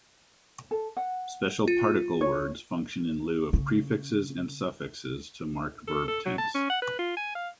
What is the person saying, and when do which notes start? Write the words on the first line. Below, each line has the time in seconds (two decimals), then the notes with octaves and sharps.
Special particle words function in lieu of prefixes and suffixes to mark verb tense.
0.71 A4
0.97 F#5
1.68 F4
2.21 C#5
3.53 C#3
5.87 A4
6.08 A4
6.26 F#3
6.38 A5
6.55 C#4
6.70 F#5
6.82 B4
6.99 F4
7.17 G#5
7.35 F5